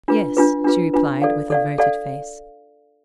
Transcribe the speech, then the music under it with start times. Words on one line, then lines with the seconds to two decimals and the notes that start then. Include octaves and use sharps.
"Yes," she replied with averted face.
0.08 D4 F4 B4
0.37 D4 F4 B4
0.64 D4 F4 B4
0.94 D4 F4 B4
1.22 A4 D5 F5
1.50 A4 D5 F5
1.78 A4 D5 F5